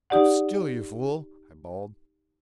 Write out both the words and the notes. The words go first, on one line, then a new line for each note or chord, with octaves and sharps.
"Keep still, you fool!" I bawled.
D#4 G4 D5 F#5